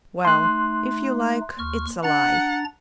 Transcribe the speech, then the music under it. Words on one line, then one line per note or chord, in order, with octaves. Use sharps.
Well, if you like, it's a lie.
A3 D#4 C6 F#6
D#2 C#6 F6
D4 F#5 A#5 A6